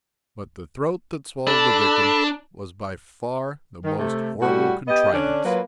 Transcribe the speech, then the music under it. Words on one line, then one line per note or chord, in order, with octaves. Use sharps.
But the throat that swallowed the victim was by far the most horrible contrivance.
D4 A4 B5 E6
D#3
C3 A3
A2 G3 C#4 F#4
B3 G4 D#5
D3 C#4 D4
F#3 A#3 F4 B4